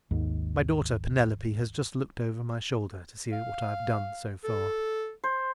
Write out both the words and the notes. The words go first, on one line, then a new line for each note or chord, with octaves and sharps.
My daughter Penelope has just looked over my shoulder to see what I have done so far.
G#1 D#2 G#2
F5
A4
C5